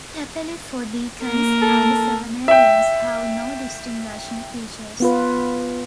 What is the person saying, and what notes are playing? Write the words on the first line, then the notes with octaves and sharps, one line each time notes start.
Cappelli for deacons and seminarians have no distinguishing features.
A#3 A#4
A4
E5 G5
B3 F4 B4